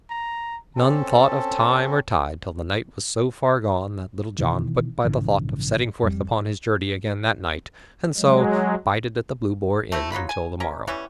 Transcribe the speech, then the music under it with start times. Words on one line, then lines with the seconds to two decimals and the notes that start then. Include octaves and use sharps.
None thought of time or tide till the night was so far gone that Little John put by the thought of setting forth upon his journey again that night, and so bided at the Blue Boar Inn until the morrow.
0.10 A#5
0.77 C4 C#4 A4 A5
4.39 B2 D#3 E3
5.04 A#1 G#2 C#3 E3
6.03 F2 G3
8.18 F#3 G#3
9.92 A3 C4 E4
10.12 F#3 D#4 F4 B5
10.29 G#5
10.60 C#4 A#4
10.87 E3 G3 B3 C#4